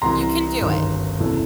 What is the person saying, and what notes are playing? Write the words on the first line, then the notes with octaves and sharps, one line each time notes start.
You can do it.
C2 C3 E3 A#5 C6
G1 F#2 D#3
F#1 E2 C3 E3 A3